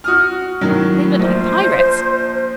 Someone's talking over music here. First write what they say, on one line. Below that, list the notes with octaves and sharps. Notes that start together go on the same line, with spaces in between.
"They look like pirates."
F#4 D#6 F6
A2 D#3 F#3
A#1 C5